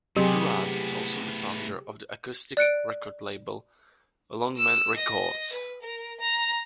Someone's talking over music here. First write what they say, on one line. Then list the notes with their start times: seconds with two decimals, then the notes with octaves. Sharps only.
Durrant is also the founder of the acoustic record label LongMan Records.
0.17 A2 C3 F#3 B3 G4 G#4
2.57 D5 F#6 C#7 D7
4.56 E6
4.96 D#5
5.52 B4
5.81 A#4
6.20 A#5